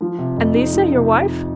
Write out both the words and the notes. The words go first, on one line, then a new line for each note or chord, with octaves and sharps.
"And Lise, your wife?"
F3
C3
F2
D#4
F3
C3